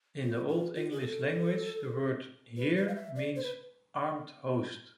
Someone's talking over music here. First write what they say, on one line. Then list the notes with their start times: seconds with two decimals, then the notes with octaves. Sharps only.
In the Old English language the word "here" means "armed host".
0.23 F4
0.49 F4
0.75 F4
0.91 G#4
1.01 A4
2.57 B4
2.76 B4
2.88 F5
2.95 E5
3.16 D5
3.35 C5
3.43 B4